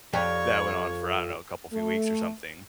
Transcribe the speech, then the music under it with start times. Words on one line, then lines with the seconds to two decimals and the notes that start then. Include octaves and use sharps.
that went on for, I don't know, a couple few weeks or something,
0.13 F2 G4 C#5 D5
1.73 A3